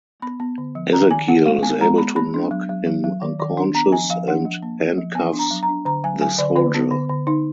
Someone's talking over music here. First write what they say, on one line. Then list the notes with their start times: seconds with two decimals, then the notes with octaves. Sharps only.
Ezekiel is able to knock him unconscious and handcuffs the soldier.
0.22 B3 B5
0.40 B3
0.58 D3
0.75 F3
0.92 D#3 A#5
1.11 D#3 G#5
1.28 B3 F#5
1.46 G#3 F5
1.63 B3 G#5
1.81 G#3 A#5
1.98 B3 B5
2.16 B3 B5
2.34 D4
2.51 F#3
2.69 F#3
2.87 F#3
3.04 F#3
3.22 D#3
3.39 D#3
3.57 D4
3.74 B3 A#5
3.92 F3 G#5
4.10 F3 F5
4.28 D4 F#5
4.45 F3
4.63 A#3
4.80 F3
4.98 F3
5.15 B3 G#5
5.33 D4
5.39 A#5
5.51 F#3
5.63 A#5
5.69 D4
5.85 D3 A#5
6.04 F#3 G#5
6.21 F#3 G#5
6.38 D3 D5
6.56 D3 B4
6.74 B3
6.91 D3
7.09 D3
7.27 D3 D#4